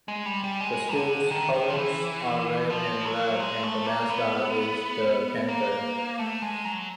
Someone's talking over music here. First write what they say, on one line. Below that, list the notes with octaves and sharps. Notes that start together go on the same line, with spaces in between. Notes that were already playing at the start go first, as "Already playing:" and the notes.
The school's colors are red and black, and the mascot is the Panther.
G#3
G3
G3
G#3
D3
D#3
D#3
F3
E3
F3
F#3
G#3
A3
A#3
B3
A#3
A3
G#3
F#3